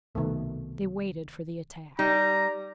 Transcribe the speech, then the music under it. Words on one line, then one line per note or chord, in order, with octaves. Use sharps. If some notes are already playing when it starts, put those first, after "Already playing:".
They waited for the attack.
C2 B2 D#3 A3
G3 D#4 A#5